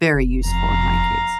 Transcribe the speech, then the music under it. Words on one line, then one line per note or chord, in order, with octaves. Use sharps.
very useful, in my case.
F1
F2 F5 A#5